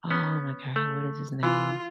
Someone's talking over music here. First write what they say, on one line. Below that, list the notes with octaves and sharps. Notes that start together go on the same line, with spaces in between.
Oh, my god, what is his name,
B3 C#4
A3
E3 F4